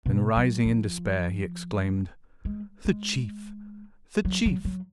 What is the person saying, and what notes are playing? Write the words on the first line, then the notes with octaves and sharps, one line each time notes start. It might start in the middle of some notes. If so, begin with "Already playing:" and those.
Then rising in despair, he exclaimed, "The chief, the chief!"
B2
F#3
F3
G#3
G#3
F#3
F#3
F#3